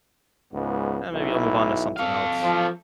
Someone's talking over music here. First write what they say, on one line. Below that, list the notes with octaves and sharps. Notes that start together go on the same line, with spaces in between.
"Eh, maybe I'll move on to something else."
C#2 G#2 B3
B1 E4
A4 F5
F3